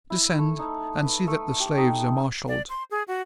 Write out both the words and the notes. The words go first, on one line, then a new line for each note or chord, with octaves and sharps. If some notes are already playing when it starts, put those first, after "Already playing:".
Descend, and see that the slaves are marshalled.'
E4
A3
D#4
B4
A3
G4
D#4
D5
C6
G#4
F#4